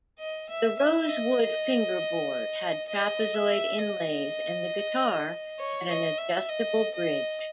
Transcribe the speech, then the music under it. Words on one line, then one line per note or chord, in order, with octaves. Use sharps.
The rosewood fingerboard had trapezoid inlays, and the guitar had an adjustable bridge.
D#5
E5
E5
D#5
D#5
E5
D#5
C#5
D#5
E5
D#5
D#5